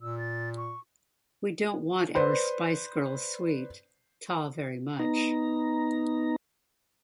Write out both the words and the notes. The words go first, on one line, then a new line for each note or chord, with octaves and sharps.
We don't want our Spice Girls sweet, ta very much.
A#2 E6
A6
C#6
B4 C5 D5
B3 D#4 A#5